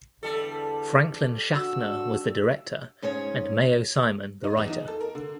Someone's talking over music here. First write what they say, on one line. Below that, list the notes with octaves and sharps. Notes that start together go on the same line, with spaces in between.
Franklin Schaffner was the director and Mayo Simon the writer.
E2 D3 G3 A4
D4 F#4 E6
G#2 C#4 G#4 C#5
D#4
E2
D#4
A4
A#4
D3